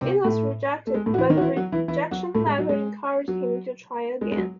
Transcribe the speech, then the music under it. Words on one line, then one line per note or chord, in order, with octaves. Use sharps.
It was rejected, but the rejection letter encouraged him to try again.
C3 C4
A2 A3
A3
G#3
A2 A3
F#4
E3 E4
D#3 D#4
F#4
E3 E4
F#3 F#4
E3 E4
E3 E4
F#3 F#4
A2 A3
G#3
F#3
G#3
F#3
G#3
G#3
F#3